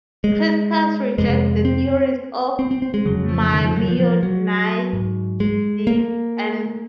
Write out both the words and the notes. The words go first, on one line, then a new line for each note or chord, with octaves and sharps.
Crescas rejects the theories of Maimonides and Gersonides on this point.
G#3
F2 C3 G#3
C4
C4
C4
C4
G#3
F2 C#3 F#3
F3
D#3
F3
F#3
F3
F3
F#3
G#2
G#3
A#3